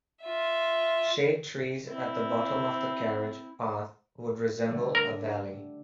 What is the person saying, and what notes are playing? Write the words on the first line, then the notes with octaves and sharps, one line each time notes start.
Shade trees at the bottom of the carriage path would resemble a valley.
F4 E5
C4 E4
D3 G3 A3
A#4